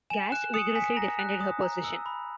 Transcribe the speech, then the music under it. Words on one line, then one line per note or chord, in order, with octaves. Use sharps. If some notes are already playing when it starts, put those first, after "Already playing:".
Gash vigorously defended her position.
G#5 E7
F#6 E7
D#6 C#7
G#5 B6
A#5 A#6
F#6
D#6
A#5
E6
B5